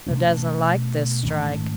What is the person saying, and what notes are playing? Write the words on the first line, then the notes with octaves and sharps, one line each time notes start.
Hoo doesn't like this strike.
B2 A3 C#4
G#2 D#3 A3 C#4